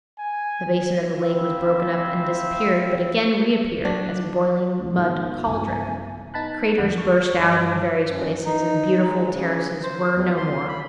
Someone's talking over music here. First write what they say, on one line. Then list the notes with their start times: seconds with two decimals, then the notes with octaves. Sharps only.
The basin of the lake was broken up and disappeared, but again reappeared as a boiling mud cauldron; craters burst out in various places, and the beautiful terraces were no more.
0.19 G#5
1.16 C4 E4 E5 F5
3.85 F#3 D4
4.94 E2 G#2 D#3
5.46 B1 G2 C#3 E3 G#5
6.34 B3 D#4 A5 B5 F#6
6.78 F2 D3 E3 D5 F#5 B5
6.98 C#6
7.40 G2 D#5 A5 D6 F#6
8.09 F#2
8.45 D#4
9.07 G#3
9.33 C#3
9.83 C5
10.16 E2
10.37 C6
10.68 B5